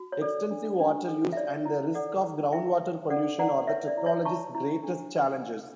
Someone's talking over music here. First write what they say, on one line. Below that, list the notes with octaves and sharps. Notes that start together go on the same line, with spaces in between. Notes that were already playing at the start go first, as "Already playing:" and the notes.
Extensive water use and the risk of groundwater pollution are the technology's greatest challenges.
Already playing: F#4
C#5
A4 D5
D4
D4
A4
E5
C#5 D5
E4
A4 D5 F#5
E4
E4 E5 G5
C#5
A4 D5 F#5
E4 D5 F#5
B4 C#5 E5
D5
E4
C#5 E5
E4 A5 C#6
E4
D4